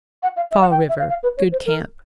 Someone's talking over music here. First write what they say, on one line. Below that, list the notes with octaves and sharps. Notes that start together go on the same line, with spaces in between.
Fall River.--Good camp.
F#5
F5
E5
F#5
G5
E5
F5
F5
B4
C#5
C5
A#4